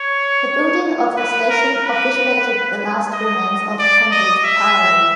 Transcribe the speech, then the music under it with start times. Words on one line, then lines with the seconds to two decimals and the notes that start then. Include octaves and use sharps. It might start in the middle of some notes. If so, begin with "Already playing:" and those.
The building of the station obliterated the last remains of Tonbridge Priory.
Already playing: C#5
1.16 B4
1.50 A#4
1.83 B4
3.13 D#5
3.79 D5
4.11 D#5
4.45 E5